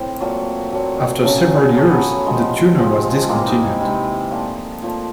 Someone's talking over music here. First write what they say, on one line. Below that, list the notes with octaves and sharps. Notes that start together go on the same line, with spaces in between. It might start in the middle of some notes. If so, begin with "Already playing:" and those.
After several years, the tuner was discontinued.
Already playing: A2 C4
A#2 F#3 A3
A#2 F#3 A3
C#3 F#3 A3
C#3 F#3 A3 B3
C3 F3 G#3
C3 F3 G#3
C3 E3 G#3 A#3
D#4
E4
C3 E3 G#3 D#4
A#2 F3 A3
A#2 F3 A3